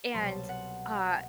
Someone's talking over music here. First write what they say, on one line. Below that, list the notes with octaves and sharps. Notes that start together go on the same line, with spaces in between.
And, uh,
C2 B2 F#3 B3 C6
A5
F#5